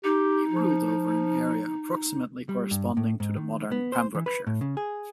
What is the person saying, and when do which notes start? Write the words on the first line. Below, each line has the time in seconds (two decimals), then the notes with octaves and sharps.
He ruled over an area approximately corresponding to the modern Pembrokeshire.
0.04 D#4 G4
0.50 F3
2.49 G3
2.71 G2
2.97 A2
3.20 G#2
3.37 D#3
3.72 B3
3.92 C5
4.15 E3
4.26 B4
4.47 A2
4.61 C#3
4.77 G#4